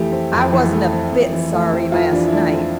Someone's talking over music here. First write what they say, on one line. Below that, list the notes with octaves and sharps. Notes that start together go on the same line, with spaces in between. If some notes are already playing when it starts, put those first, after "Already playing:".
I wasn't a bit sorry last night.
Already playing: F2 E3 A3 G4
C4
F2
E3
A3
C4
F2
E3
A3
C4
F2 F4
E3 D4
E4
A3 D4
C4